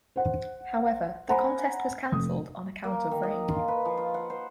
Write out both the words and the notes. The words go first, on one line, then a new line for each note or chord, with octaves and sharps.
However, the contest was canceled on account of rain.
C5 F#5
C5 F#5 G#5 A#5 B5
F1 D#6
A#3
D#3
D#5
F4
B4
F3
F4
F#5
C5